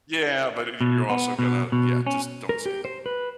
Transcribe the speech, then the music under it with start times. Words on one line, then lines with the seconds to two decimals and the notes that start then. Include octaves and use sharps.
Yeah, but y you're also gonna yeah, just don't say
0.81 B2
1.10 B3
1.39 B2
1.72 B2
2.07 C#4
2.49 A#4
2.66 G4
2.85 C5
3.06 B4